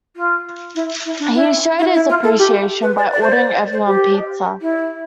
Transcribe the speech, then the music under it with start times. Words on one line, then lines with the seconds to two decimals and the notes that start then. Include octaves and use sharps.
He showed his appreciation by ordering everyone pizza.
0.16 F4
0.75 E4
1.05 E4
1.19 D4
1.34 E4
1.79 E4
1.93 E4
2.09 F4
2.23 A4
2.38 G4
2.82 B4
2.97 D5
3.12 D5
3.22 C5
3.32 D5
3.72 C5
3.86 G4
4.61 E4